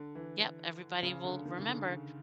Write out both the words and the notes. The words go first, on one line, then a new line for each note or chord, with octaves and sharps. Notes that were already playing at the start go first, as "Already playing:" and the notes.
Yep, everybody will remember
Already playing: D3
E3
C#3
D3
D#3
C#3
D3